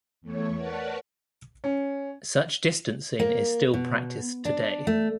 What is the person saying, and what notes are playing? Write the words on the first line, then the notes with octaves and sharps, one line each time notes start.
Such distancing is still practiced today.
E2 A3 C#5
A#4 B4 C#5 D5 F#5 A5
C#4
A#3
B2
D4
A3